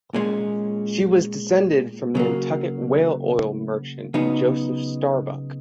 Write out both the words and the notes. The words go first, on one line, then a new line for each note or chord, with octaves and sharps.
She was descended from Nantucket whale oil merchant Joseph Starbuck.
A#2 G#3 C#4
C#3 F#3 A#3
C#3 F#3 B3 D#4